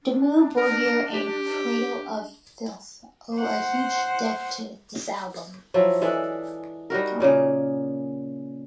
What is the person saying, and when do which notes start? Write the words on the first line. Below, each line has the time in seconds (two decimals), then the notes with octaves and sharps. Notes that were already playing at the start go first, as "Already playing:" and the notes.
Dimmu Borgir and Cradle of Filth owe a huge debt to this album.
0.03 D4
0.57 A#4
1.14 G4
3.36 C5 F#5
5.74 F3 F#3 E4
6.02 E3 G#3 D4 A4
6.90 G3 D#4 F#4 A#4
7.20 A#2 C#3 A#3 G#4